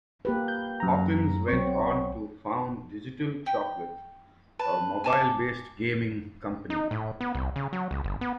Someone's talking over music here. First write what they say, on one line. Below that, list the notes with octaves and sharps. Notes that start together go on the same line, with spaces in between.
Hawkins went on to found Digital Chocolate, a mobile-based gaming company.
A#3 G4 B4
G6
F#2 A#5
B1 F#3 C4 C#6
G5
B4 A5
G#5 A5 D6
D#4
A2
B3
C2
C#3
F#3
C#2
G1
B3